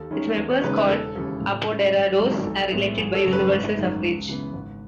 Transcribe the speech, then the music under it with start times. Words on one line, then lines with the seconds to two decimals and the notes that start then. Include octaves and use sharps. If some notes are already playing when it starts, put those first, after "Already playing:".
Its members, called "apoderados", are elected by universal suffrage.
Already playing: D#2 A4
0.11 D#3 G#3 C#4
0.37 E2
0.50 C#5
0.64 C#3 G#3 D#4 B4
0.76 B4
0.89 E1 A4
1.15 D#2 C#3 E3 A4
1.41 A2
1.67 G#3 C#4 E4
1.94 G#1
2.19 G#2 F#3 B3
2.45 B1 A4
2.72 A2 G#3 B3 E4
2.98 G#1 G#4
3.15 A4
3.24 F#2 C#3 F#3 C#4
3.33 B4
3.49 G#1 B4
3.76 F#2 D#3 A3
4.02 C#2
4.28 C#3 E3 B3
4.53 G#1